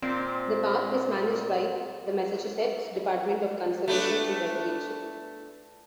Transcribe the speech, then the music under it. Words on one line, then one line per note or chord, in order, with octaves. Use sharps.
The park is managed by the Massachusetts Department of Conservation and Recreation.
A#2 C4
A3 B3 D4